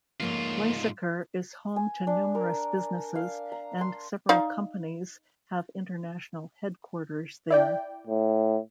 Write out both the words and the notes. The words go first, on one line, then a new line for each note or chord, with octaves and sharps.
Lysaker is home to numerous businesses, and several companies have international headquarters there.
F2 G#2 A#3 F4 C#5
G#5
D4
A#4
F5
A#5
C6
D#4 D5 F5
E4 D5 G5
A2